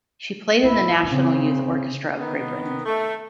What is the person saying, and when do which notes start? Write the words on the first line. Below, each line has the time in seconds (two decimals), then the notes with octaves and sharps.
She played in the National Youth Orchestra of Great Britain.
0.65 E4
1.09 C#3 C4
2.19 D#3 B3
2.86 A3